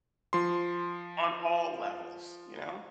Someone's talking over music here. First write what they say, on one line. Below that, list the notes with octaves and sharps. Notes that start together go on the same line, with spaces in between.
on all levels, you know?
F3 C6